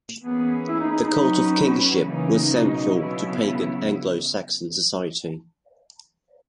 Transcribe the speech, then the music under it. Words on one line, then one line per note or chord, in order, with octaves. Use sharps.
The cult of kingship was central to pagan Anglo-Saxon society.
E3 A#3 B3 C#4 G#4 B4
E4
D#4
D#4
D#4
F#3 C#4 F#4 B4
C#3 E3 F#3 A#3 D#4
B2
C#3 F#3 B3 E4